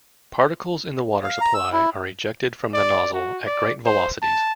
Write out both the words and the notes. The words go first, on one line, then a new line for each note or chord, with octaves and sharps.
Particles in the water supply are ejected from the nozzle at great velocities.
F5
A#5
E6
E4
D5
F#4
D5
C5
A5